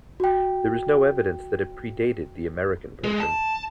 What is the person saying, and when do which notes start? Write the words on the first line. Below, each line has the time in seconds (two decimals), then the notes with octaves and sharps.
There is no evidence that it predated the American version.
0.20 F#4 G5
3.04 G#3
3.20 A5